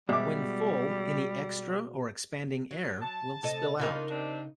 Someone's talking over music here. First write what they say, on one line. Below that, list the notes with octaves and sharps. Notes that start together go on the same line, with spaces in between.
When full any extra or expanding air will spill out.
B2 G3 G#3 D5 E5 D6
F#3
A5
C3 A4 D#5 A5
C#3 A#3 D4 D#4 F4 A#4
C3 C4 D4